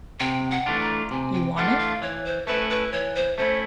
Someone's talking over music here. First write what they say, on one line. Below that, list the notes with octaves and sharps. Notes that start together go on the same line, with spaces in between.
You want it?
C3 G5
F#5
E3 A3 D4 F4
A#5
C3 G#5
G5
E3 A3 D4 F4 F#5
F5
E3 C#5
C5
A3 C#4 E4 B4
B4
E3 C#5
C5
A3 C#4 E4 C5